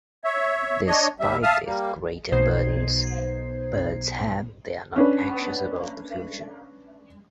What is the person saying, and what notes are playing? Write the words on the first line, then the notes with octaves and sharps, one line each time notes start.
Despite these greater burdens birds have, they are not anxious about the future.
C#5 E5
D4 C#5 D#5
D#2 G3 E5
E5 F5 A5 D#6 F6
G3 A#3
B1 B2 D#4 C5 G#6 C7
C#4 D4 B4